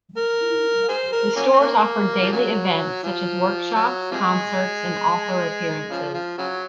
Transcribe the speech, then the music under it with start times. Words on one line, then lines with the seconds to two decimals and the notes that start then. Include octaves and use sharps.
The stores offered daily events such as workshops, concerts, and author appearances.
0.17 A#4
0.88 G#4 C5
1.12 A#4
1.36 F#3 A#3 C#4
1.53 C4
1.61 A#3
2.21 F3
2.32 C#3 F#3
3.04 F3
3.75 F#3
4.11 C3 F3 G#3
5.90 C#3 F3
6.14 F3
6.38 C#3 F#3